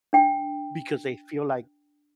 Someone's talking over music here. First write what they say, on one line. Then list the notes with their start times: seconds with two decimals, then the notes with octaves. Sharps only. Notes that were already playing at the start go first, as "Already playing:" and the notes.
because they feel like
0.13 D4 G5